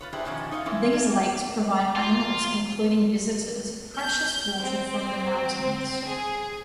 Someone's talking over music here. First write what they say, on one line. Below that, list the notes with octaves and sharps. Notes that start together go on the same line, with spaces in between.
These lakes provide animals including visitors precious water from the mountains.
F4 B4 C#5
D4 E4 G4 G#4 B4 C5
B2 D3 D#3 F3 C#4
D#4 C#5 D#5 F5
E3 A#3 C4 C#4 E4
A3 A#3 G#4 A4
F4
G6
C4
G#4